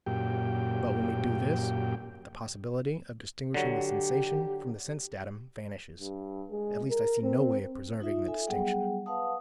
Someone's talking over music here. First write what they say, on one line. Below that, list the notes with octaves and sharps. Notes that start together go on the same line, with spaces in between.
But when we do this, the possibility of distinguishing the sensation from the sense-datum vanishes; at least I see no way of preserving the distinction.
F#2 A#2 G4 G5
D3 F#3 G4
G2
G#3
A#4
C4
D#4 F4 E5
A4 E5 G#5
F#3 G3 B3 G#4 F#5 G5
B4 F5 F#5 A5 D#6